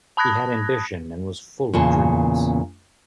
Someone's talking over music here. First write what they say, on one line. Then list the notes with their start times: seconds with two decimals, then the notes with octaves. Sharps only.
He had ambition and was full of dreams.
0.17 A5 B5 D#6 F#6 G#6 A#6
1.73 E2 A#2 C#3 A5